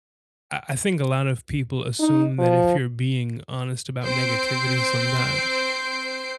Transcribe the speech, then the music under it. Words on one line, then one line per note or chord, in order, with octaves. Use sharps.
I I think a lot of people assume that if you're being honest about negativity sometimes,
D#4
F3
C4 C5 G6 C7 D7